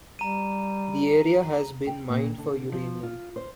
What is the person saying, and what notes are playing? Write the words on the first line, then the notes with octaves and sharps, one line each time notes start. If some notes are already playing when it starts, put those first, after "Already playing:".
The area has been mined for uranium.
G3 A#5 D#7
G5
A#2
D3
F3
F4
C5